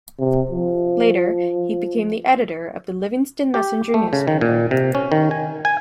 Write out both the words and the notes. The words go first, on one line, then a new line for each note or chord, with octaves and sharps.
Later, he became the editor of the "Livingston Messenger" newspaper.
C3
F3
G4
A3
C#3
D#3
A#2
C3
C#4
D#3
G#5
G#5